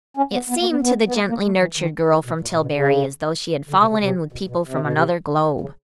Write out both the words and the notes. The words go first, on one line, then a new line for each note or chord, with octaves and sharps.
It seemed to the gently nurtured girl from Tillbury as though she had fallen in with people from another globe.
C#4
B3
B3
A#3
B3
B3
B3
A#3
A#3
A3
E3
D#3
D3
B2
A#2
A#2
B2
C#3
D3
C3
C#3
C3
B2
B2
C3
B2
C3
C#3